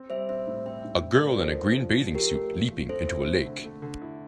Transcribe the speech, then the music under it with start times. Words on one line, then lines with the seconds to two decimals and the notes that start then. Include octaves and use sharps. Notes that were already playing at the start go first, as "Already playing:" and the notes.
A girl in a green bathing suit leaping into a lake.
Already playing: C4
0.10 G3 C5 E5
0.29 C4 C5 E5
0.47 A2
0.66 C4 E5 G5
0.85 A2
1.03 C4
1.15 A#4 D5
1.22 C4
1.40 F3 A4 C5
1.59 D4
1.78 F3
1.97 F3
2.15 F3 G4 A#4
2.34 A3
2.52 F3
2.71 F3
2.89 C4 A4 C5
3.08 E4
3.27 A3
3.46 D3
3.64 A3
3.82 D3
4.02 E4